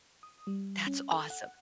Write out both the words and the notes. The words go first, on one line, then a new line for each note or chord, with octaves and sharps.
That's awesome.
D#6
G3
C#4
A4
F#5